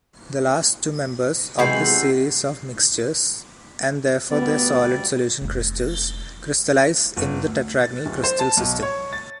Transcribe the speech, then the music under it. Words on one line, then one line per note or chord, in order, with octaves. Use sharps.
The last two members of this series of mixtures, and therefore their solid solution crystals, crystallize in the tetragonal crystal system.
B1 C3 E3 G#3 F#4 B5 G6 C7
D2 G3 B3 D5
F1 D3
G1
D2
A6
D1
C5
A5
B1
C#5
A6